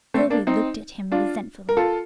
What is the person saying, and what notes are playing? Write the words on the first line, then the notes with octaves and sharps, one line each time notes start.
Sylvia looked at him resentfully.
A3 C4
A#3 D4
C4 D#4
D4 F4
A#4
F4 A4